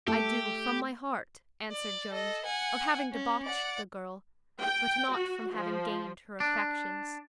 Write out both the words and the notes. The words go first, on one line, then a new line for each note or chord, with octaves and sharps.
"I do, from my heart," answered Jones, "of having debauched the girl, but not from having gained her affections."
A3 G4 A4
D5
A4 D#5
F#5 G#5
C#4
D5 F#5
G5
F#4
F3
D4